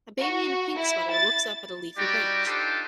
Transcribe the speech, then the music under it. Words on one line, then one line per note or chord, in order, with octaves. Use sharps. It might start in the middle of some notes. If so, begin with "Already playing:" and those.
A baby in a pink sweater looks up at a leafy branch.
F#4
E4
A6
G3 D#4 F#4 G4 D5
D4 D#4 F4 G4 A4 C5